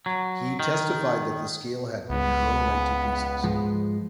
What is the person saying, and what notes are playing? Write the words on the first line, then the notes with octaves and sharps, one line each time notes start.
He testified that the scale had been "blown right to pieces".
F#3
D#3
C#2 B3
G#2 F3 G#3